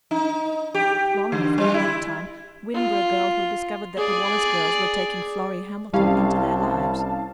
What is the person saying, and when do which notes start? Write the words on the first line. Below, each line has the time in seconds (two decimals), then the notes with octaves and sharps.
Long before that time Winboro girlhood discovered that the Wallace girls were taking Florrie Hamilton into their lives.
0.11 D#4
0.74 G4
1.32 D3
1.58 G3
1.74 E4
2.74 F4
3.97 G#4 D5
5.93 C2 G3 C#4 E4 F5 A5